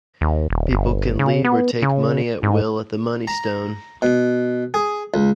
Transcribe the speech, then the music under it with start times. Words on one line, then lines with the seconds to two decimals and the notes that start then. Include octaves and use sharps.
People can leave or take money at will at the Money Stone.
0.21 D#2
0.50 D#1
0.71 G1
1.19 C#3
1.45 B3
1.82 C#3
2.43 G#2
3.27 A#5
4.02 B2
4.74 G#4
5.14 C#2